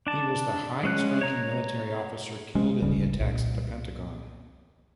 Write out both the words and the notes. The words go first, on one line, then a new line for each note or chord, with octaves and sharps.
He was the highest-ranking military officer killed in the attacks at the Pentagon.
D4 A5
G#3 C#4 F#6
C#5 A#5
G#3 C#4
D1 G1 C#3 G3
C2 A#2